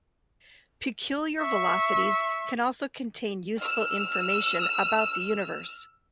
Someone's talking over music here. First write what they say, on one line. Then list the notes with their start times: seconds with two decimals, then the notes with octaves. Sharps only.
Peculiar velocities can also contain useful information about the universe.
1.41 E5 C#6
3.60 E6 F6